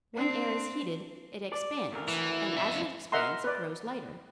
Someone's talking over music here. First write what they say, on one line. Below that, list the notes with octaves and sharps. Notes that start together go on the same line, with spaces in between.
When air is heated it expands, and as it expands it grows lighter.
C4 D4
D5
D2 A3 A#4
E3
F2 E5
A#4 D#5 E5 F#5 A#5 C6
B4 D5